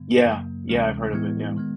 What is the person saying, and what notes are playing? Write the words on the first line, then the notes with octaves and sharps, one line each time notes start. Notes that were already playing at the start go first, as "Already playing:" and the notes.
Yeah, yeah, I've heard of it, yeah.
Already playing: G2 D3 G3 B3
F#2 C#3 F#3 A#3
D2 C3 E3 G#3 C#4
A2 E3 G#3 B3 E4
D#3 G#3 B3